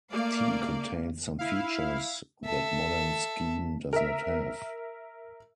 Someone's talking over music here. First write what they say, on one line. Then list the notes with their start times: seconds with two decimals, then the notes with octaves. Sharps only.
T contains some features that modern Scheme does not have.
0.10 A3 A#3 D5 F5
1.39 E4 F5
2.45 A4 E5
3.93 A#4 E5